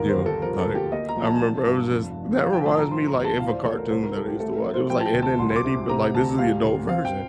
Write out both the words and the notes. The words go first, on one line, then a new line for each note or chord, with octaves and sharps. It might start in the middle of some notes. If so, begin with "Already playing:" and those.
Yo, like, I remember it was just that reminds me, like, of a cartoon that I used to watch. It was like Ed, Edd n Eddy, but, like, this is the adult version,
Already playing: G1 D#2 A#4
C5
G3
A4
F3 A#4
A#4
A4
D2
G4
A#3 D#5
A#5
A#1
A5
A1
G2
F1
F1
F3 F5
G5
A1 A5
A#5
F3 C6
A#5
D2
A5
A2 F5
C5
D5
A1 A4
A#4
C2 C5
A#4
G3 A4
G4
A3 A4
A#4
F3
C5
F3 G5
A5
G5
D2
A5
C2 C6
C6
D6
C3
C3 A#5
D2 A5
G3 F5
D2
C4 F5
G5